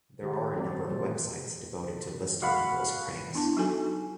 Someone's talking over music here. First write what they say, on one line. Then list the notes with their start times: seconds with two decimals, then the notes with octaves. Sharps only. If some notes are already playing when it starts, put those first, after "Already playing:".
There are a number of websites devoted to listing people as cranks.
0.22 D#3 G4
0.54 F#3 C4 D5
0.90 A#2 E3 G3 A3 C5
2.41 F#4 F5 F#5 B5
3.34 B3 D4 E4 A5
3.57 F#3 D#4 F#4 A4 G#5